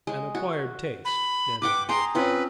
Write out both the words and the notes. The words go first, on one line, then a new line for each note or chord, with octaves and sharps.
"An acquired taste," Ned Land replied.
G#3
F#4
B5
B4 F#5 G5 D6
G#4 G5 A#5 C6
C4 C#4 F4 B4